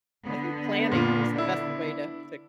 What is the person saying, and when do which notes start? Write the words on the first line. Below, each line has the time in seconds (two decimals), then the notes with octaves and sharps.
I think planning is the best way to to,
0.24 D3 B3
0.92 A#2 F4
1.36 D4 E4